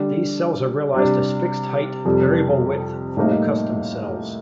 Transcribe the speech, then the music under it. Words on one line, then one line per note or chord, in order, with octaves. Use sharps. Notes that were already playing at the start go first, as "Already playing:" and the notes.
These cells are realized as fixed-height, variable-width full-custom cells.
Already playing: D3 G3 D4
C3 G3 D4
F2 C3 G3
A2 G3 A#3 D#4